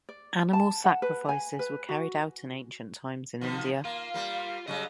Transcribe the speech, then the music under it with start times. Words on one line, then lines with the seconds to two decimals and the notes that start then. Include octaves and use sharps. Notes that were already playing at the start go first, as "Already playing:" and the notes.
Animal sacrifices were carried out in ancient times in India.
0.09 D5
0.53 A5
0.84 F#5
1.02 B4
1.29 G#5
1.59 B4
1.89 F#4
3.41 B2 D#3 F3
3.85 A#3 F4
4.14 G3 A#3
4.67 C#3 F#3 G3 D#5